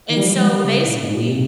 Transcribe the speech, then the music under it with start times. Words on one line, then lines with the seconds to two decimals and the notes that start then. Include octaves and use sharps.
And, so, basically
0.09 D#3
0.17 G3
0.24 F3
0.37 G#3
0.45 G3
0.64 C#3
0.85 A#2
1.00 G#2
1.15 A#2
1.30 C3